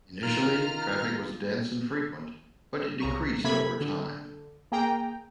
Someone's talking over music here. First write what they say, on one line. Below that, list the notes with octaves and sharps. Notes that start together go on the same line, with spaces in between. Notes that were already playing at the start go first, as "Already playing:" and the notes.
Initially, traffic was dense and frequent, but it decreased over time.
D#3 F4 A#5 F6
C2 C#3 A#5 C#6
C3 A3 A#3 B5 G#6 B6
D3
A#3 G#4 G5 A#5